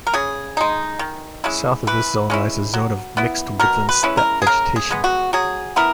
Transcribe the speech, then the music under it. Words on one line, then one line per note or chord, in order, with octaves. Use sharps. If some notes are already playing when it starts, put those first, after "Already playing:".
South of this zone lies a zone of mixed woodland-steppe vegetation.
A#4
C#3 G#4
G#3 D#4
D#3
G#3 C#4 E4
E3 B4
G#3 C#4 E4
F#3
B3 E4
B2 A#4
B4
G#3 C#4 E4
A#4
G#4
C#3 A#4
G#4
G#3 B3
F#4
F#3 G#4
B3 E4 A#4